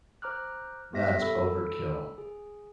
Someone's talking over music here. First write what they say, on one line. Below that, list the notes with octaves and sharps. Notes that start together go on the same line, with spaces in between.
That's overkill.
C5 A#5 D6 F6 F#6
B3 G4 E5 A#6 B6
A4 B5 E6
G#4